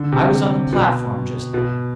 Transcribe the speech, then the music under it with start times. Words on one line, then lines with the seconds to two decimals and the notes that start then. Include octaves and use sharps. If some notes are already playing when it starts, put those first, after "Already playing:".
I was on the platform just then.
Already playing: D3
0.12 C3
0.73 B2
1.54 B2